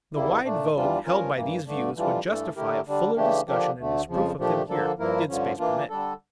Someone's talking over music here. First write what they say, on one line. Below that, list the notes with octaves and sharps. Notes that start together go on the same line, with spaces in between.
The wide vogue held by these views would justify a fuller discussion and disproof of them here, did space permit.
E2 C#3 G3 A#3 E4
A#2 A3 D4
E2 E3 G3 D4 F4
G2 F3 C#4 F4 A#4
G2 E3 A#3
G2 D3 A3 D4
F2 E3 G3 D4 F4
G2 E3 A3 D4 A4
D3 A3 E4 G4 A#4
D3 G3 D4
C#3 E3 A3 D4 G4
D3 F3 A#3 D4 G4
D2 D3 A3
F2 C#3 F3
A#2 F3 A3 D4 G4
D3 F3 A#3 D4 A4
G2 F3 A#3 E4 A#4
G2 D3 F3 C#4
E3 A#3 D4 F4
D3 G3 D4 A4